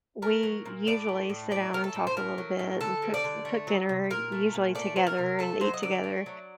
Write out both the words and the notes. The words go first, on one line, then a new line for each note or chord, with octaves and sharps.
we usually sit down and talk a little bit and cooks cook dinner usually together and eat together.
A3 A#4
F#3
A#2
A2 D5
A3
A2
A3 D5
F#3 A#4
A4
A2
C5
A3 A#4
F#3
A2
D3 A4
G3
D5
D3
A3
F#3
C3
A#2 A#4
A3
A#2
A3 D5
F#3 C5
A#4
C3
A3 A4
F#3 C5
D#5
D3 D5
A3
F#3